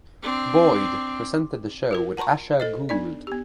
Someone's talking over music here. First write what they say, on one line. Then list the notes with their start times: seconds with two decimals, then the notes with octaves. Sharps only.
Boyd presented the show with Asher Gould.
0.22 C4 D4
1.91 F4 F#4 A#4
2.17 F#5 A5 A#5 C6 C#6
2.60 A4 C5 D#5
2.89 B3 D4 D#4 D5
3.27 B3 G4